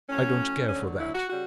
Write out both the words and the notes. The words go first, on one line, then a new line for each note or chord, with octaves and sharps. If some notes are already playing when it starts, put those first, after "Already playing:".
I don't care for that.
A2 F#3 C#4
D2 D3 F#3 C#4
E4
F#4
C#3 G3 F#4